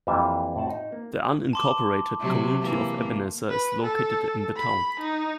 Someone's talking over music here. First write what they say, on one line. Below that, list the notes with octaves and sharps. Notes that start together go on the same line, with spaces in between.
The unincorporated community of Ebenezer is located in the town.
F2 E3 G3 A#3 F4 E5
A2 C4 F#5 A5
D#4
A#3
A5 C6 D6
C3 F#3
E3 A#3
B4
A4
B5
D#4